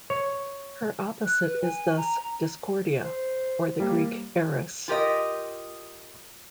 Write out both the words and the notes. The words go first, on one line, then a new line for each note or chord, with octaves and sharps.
Her opposite is thus Discordia, or the Greek Eris.
C#5
F#6
B4
G#5
A#5
C5
G3 A#3
F4 G4 A#4 D#5